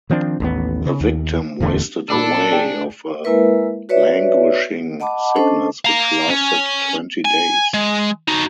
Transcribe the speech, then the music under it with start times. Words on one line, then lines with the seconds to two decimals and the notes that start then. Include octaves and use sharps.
The victim wasted away of a languishing sickness which lasted twenty days.
0.10 D#3 F3 C4 D4
0.40 A1 D#2 B3
0.85 C#3
1.01 D#2
1.60 D1 E2 D3 A3
2.10 A#2 D4 A4 B5 D6
2.52 G#4 D5 G5
3.24 G#3 A#3 E4 A#4 B4 E5
3.89 F#4 B4 C#5 D5 E5
5.00 D#5 F#5 A5 B5 D6
5.36 C#4 D4 A4 C5 D#5 A5
5.85 F5 A#5
6.30 C#4
7.25 G#5
7.74 G#3
8.28 D#4 F#4